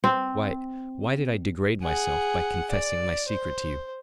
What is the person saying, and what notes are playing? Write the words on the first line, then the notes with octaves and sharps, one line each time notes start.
Why, why did I degrade myself by confessing my secret to you?
C4
G#4 F#5
D5
C5